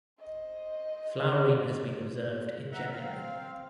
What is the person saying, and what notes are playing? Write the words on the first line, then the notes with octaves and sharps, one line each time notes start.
Flowering has been observed in January.
C5 D#5
E5 F#5 A#5
C4 F5